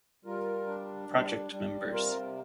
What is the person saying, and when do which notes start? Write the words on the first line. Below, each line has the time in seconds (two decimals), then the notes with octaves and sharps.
Project members.
0.25 G3 F4 A#4
0.67 D4
1.09 G3
1.51 G3
1.92 C3 F4 A#4